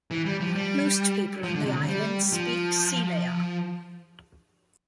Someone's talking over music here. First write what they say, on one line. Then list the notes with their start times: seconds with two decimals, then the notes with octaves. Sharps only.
Most people on the island speak Selayar.
0.11 E3
0.26 G3
0.41 F3
0.55 G3
1.43 F3
1.55 D3
1.66 C3
1.77 D3
1.88 G3
2.32 F3